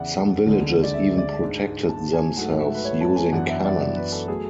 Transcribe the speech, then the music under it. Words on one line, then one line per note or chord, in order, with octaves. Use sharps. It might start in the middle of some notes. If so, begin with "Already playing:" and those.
Some villages even protected themselves using cannons.
Already playing: E2 C#3 E3 B3 D5 E5 F#5
D2 D3 G#3
D5
E5
D5
G#2 G#3 D4
A5
G#5
G#2 F#3 A3 F#5
E5
B4
C#5
A5
G#5
F#2 E3 B3 D4 F#5
E5
D5
D5
B4
A4
F#3 A3 G#4